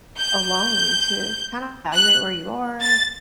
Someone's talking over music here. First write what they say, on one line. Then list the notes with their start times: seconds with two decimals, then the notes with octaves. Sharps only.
alone to kinda evaluate where you are,
0.20 G6
1.94 F#6
2.81 A6